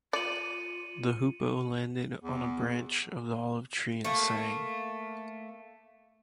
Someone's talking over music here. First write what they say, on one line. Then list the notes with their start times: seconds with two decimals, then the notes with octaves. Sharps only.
The hoopoe landed on a branch of the olive tree and sang.
0.13 F4 D5 C#7 D#7 F#7
2.22 E2
4.05 A3 A#3